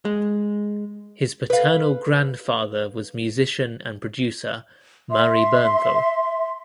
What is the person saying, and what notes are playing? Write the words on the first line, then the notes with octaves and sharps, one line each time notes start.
His paternal grandfather was musician and producer Murray Bernthal.
G#3
B4 F5
E5 C6